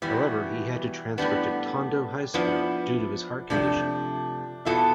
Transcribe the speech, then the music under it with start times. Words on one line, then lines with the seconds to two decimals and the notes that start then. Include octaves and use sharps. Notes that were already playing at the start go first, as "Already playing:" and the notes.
However he had to transfer to Tondo High School due to his heart condition.
0.02 B2 E3 G3 B3
1.18 A2 G3 B3 D4
2.34 F3 B3 D4 E4
3.50 C3 F3 A3 D4
4.65 E2 B2 B3 E4 F4 A4